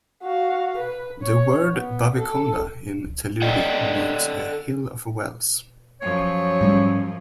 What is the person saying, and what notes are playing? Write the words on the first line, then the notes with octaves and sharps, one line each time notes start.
The word "Bavikonda" in Telugu means "a hill of wells".
F#4 F5
B4
C#5
B3
A4
A4 D5 D#5 F#5 G5
F#2 F3 C#5
G#2 G3 C#4